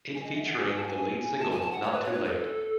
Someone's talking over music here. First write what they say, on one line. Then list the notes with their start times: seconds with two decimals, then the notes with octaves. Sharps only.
It featuring the lead single "Not Too Late".
0.14 G#5
0.24 D#5
0.35 E5
0.45 F#5
0.56 G#5
0.67 G#5
0.77 A5
0.83 F#5
0.87 G#5
1.39 A5
1.51 G#5
1.61 A5
1.71 F#5
1.83 C#5
1.92 B4
2.03 C#5
2.13 B4
2.24 A4